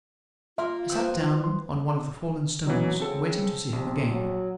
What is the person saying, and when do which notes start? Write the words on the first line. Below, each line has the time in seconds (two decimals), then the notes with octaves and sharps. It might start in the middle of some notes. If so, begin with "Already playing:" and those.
I sat down on one of the fallen stones, waiting to see him again.
0.58 A#3 F4 A#4 E5 C6 F6
0.90 B3 C4 E5 E6
1.44 C6
2.67 E3 F#3 C#4 D#4
3.00 C#3 C4 A4
3.73 A#1 C3
4.11 F#3